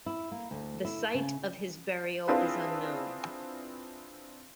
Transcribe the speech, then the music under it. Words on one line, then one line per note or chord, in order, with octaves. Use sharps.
The site of his burial is unknown.
E4
A#3
D2
E4
C#3
C4 D4 E4 F4 G#4 B4